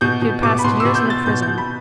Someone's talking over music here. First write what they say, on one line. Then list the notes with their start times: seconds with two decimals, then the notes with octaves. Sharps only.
He had passed years in a prison.
0.01 B2 G6
0.22 B2
0.43 B2 D6
0.59 B5
0.64 B2 C6
0.80 B2 E6
0.95 G6
1.05 B2 A6
1.26 B2 G6
1.42 G6
1.47 B2
1.58 B5